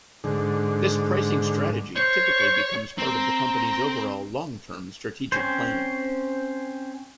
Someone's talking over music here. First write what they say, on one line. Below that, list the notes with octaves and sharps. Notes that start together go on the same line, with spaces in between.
This pricing strategy typically becomes part of the company's overall long -term strategic plan.
G#2 D3
C5 C#5
C4 A#5
C4 C#4 C5